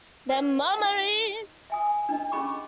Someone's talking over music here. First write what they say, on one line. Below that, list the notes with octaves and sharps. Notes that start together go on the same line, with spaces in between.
The memories!
B4 D5 F#5
D#4 D#5 F#5
E5 G#5 D#6
D4 D#4 D#5
C#4 G#4 D#5 B5 C#6 D6